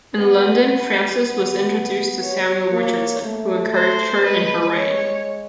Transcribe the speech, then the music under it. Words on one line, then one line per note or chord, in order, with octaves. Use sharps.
In London Frances was introduced to Samuel Richardson, who encouraged her in her writing.
B3 B4
B3
C#5
A#3
A3
C5
G#3 B4
C#5